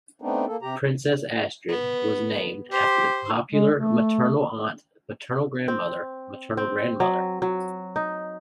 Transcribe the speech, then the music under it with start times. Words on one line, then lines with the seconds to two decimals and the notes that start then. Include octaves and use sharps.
Princess Astrid was named after the popular maternal aunt, paternal grandmother, maternal grandmother.
0.22 A3 B3 C4 D4 D#4
0.47 A#3 A4
0.62 C3 G4 A#5
1.69 B3
2.72 G4 C5
3.52 G#3
3.75 A3
5.68 C4
6.57 C4
7.00 F#3
7.42 F#3
7.96 D#4